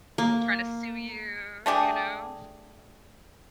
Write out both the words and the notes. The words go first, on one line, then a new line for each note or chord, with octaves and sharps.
tryna sue you, you know.
A#3
A3 D4 G4 G#4